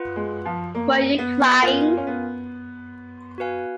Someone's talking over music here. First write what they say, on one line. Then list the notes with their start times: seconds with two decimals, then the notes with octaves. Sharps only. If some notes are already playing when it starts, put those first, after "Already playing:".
Were you crying?
Already playing: F4 B4 F#5
0.16 G#3
0.45 F3
0.75 A#3
1.18 B3
1.62 B3 F4 A#4 F5 G#5
1.97 C#4
2.07 B3
3.38 F#4 B4 F5 G#5